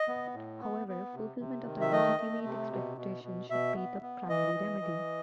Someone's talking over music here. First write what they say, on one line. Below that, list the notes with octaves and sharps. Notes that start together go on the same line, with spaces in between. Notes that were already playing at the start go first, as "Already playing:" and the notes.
However, fulfilment of the legitimate expectation should be the primary remedy.
Already playing: D#5
B3
A2
B3
B3
C3
C3
D#3
E5
A3 D#5
A3
C3
B2
B2
B2
B2 E5
B3
B3
E3 D#5
E3
E3